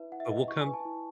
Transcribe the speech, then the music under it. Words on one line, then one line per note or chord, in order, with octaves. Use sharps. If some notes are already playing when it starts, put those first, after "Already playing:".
and we'll come
Already playing: E4 B4 E5
E4 F#5
E5
B4 D#5
E5
E4 C#6
G#5
B4
A5
E4